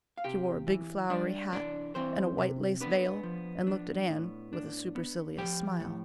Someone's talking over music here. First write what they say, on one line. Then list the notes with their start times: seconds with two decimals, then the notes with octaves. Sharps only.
She wore a big flowery hat and a white lace veil and looked at Anne with a supercilious smile.
0.18 F5
0.24 C3 G4 G5
0.67 E3
1.10 G3 D4 D5
1.52 E3 D4 D5
1.95 E3 C4 C5
2.38 C3
2.81 B3 D4 B4
3.23 F3
3.67 D4
4.10 A2
4.53 D4
4.95 B3
5.37 F3 G4 G5
5.80 A2